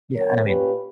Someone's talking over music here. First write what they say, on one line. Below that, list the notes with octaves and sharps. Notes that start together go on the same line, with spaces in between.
Yeah, I don't mean
D3 F#3 B3 A#4 C#5
A#2 A#3 C#4 G4 B4